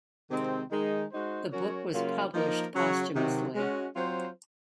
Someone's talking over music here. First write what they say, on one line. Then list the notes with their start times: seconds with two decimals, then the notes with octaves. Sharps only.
The book was published posthumously.
0.30 C3 D#3 G#3 C4
0.71 D#3 G#3 D#4
1.11 G#3 D#4 F#4 C5
1.52 F#3 C#4 F#4 A#4 C#5
1.92 C#3 F#3 A#3 C#4 F4
2.33 F3 A#3 D#4 A#4
2.74 C#3 F#3 C#4 F#4 C#5
3.14 C3 D#3 F#3
3.55 G#3 C#4 F#4
3.95 F#3 C4 F4 C5